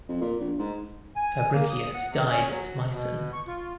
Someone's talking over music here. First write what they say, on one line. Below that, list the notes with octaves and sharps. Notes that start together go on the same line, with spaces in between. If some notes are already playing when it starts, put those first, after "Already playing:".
Fabricius died at Meissen.
F2
A#2
A#1
G#2
G#5
A#3
D#6
F#5
C3
C#4
F#3
B2
C#6
F4